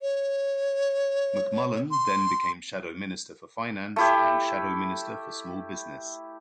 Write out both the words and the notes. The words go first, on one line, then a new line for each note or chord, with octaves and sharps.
McMullan then became Shadow Minister for Finance and Shadow Minister for Small Business.
C#5
C6
A3 E4 G4